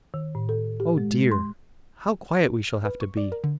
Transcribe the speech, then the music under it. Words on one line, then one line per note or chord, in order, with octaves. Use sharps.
Oh dear, how quiet we shall have to be!
D#3
A2
A4
G4
G#3
G#3
C6
F6
B4
C#6
D5
A#4
D3